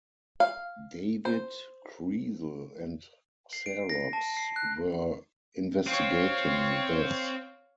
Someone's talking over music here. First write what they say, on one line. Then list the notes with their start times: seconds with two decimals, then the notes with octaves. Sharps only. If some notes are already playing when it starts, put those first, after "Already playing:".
David Kriesel and Xerox were investigating this.
0.40 F5
1.25 C5
3.53 C7
3.66 D7
3.89 A#6
4.13 A5
4.37 C7
4.56 F#6
5.87 C4 C#5 F5